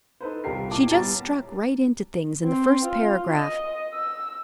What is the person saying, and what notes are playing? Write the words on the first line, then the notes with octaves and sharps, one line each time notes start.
She just struck right into things in the first paragraph.
D#4 A4 B4 C5
C2 F4 G4 A#4 C7
A#2 E4 A5 D6
G3 B3 C#5 A5 A#5 A6
C4
F4
D#5
E6